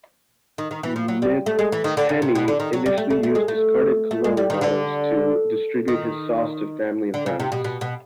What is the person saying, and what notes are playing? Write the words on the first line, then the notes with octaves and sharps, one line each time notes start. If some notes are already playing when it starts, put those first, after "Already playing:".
McIlhenny initially used discarded cologne bottles to distribute his sauce to family and friends.
D#3
D#3
E3
F3
F#3
G3
A3
G#3
E3
D#3
D3
C#3
C3
B2
D3
D#3
F#3
G3
A3
A3
A3
G#3
A3
A3
G#3
G3
D#3
D3
D#3
D3
C#3
C3
B2
B2
B2